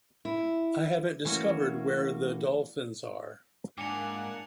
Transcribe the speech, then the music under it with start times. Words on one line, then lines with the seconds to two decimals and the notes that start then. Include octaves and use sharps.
I haven't discovered where the dolphins are.
0.25 E4
1.25 E3 A3 A#3 C#4 F#4
3.78 G#2 A#3 D4 F#5 G#5 D6 C#7 F7